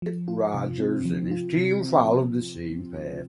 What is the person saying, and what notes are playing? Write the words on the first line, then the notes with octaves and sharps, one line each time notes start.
Rogers and his team followed the same path.
F3
F4
C3
C4
F3
F4
C3
C4